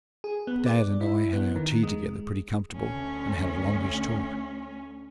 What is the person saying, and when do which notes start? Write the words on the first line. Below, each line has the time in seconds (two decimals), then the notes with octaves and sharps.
Dad and I had our tea together pretty comfortable, and had a longish talk.
0.24 G#4
0.47 B3
0.66 D5
1.01 E4
1.33 B3
1.56 D#3
1.83 G#3
2.73 D2 C#4